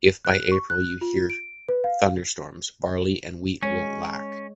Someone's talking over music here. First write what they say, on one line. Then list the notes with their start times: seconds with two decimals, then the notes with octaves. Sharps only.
If by April you hear thunderstorms, barley and wheat won’t lack.
0.25 F#6
0.52 C#6
0.70 F#6
1.01 F4
1.30 D7
1.69 B4
1.84 F5
3.63 G#3 C#4 C#5